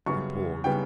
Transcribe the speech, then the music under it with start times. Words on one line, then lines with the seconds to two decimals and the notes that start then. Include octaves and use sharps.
He paused.
0.06 F#2 C#3 G3 B3 C#6
0.64 C#3 G3 B3 G5